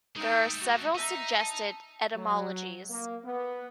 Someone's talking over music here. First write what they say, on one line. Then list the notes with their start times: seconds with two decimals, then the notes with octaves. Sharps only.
There are several suggested etymologies.
0.16 G#3 A3 D#4 G5
0.61 F#4
0.95 D#4 E5 A#5
1.38 A5
2.15 F#3
2.90 A#3
3.24 B3